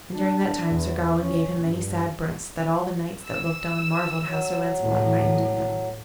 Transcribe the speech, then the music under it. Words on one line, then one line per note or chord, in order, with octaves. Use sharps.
And during that time Sir Gawain gave him many sad brunts, that all the knights that looked on marvelled how Sir Launcelot might endure them.
D4
E2
C#4
G2
E6
F#3
A2